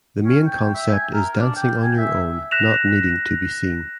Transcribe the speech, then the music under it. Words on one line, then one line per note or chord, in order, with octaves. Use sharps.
The main concept is dancing on your own not needing to be seen.
C#4
G5
E5
G#5
A#4
D4
G5
G#5
E5
F#6 A#6 B6 E7 F7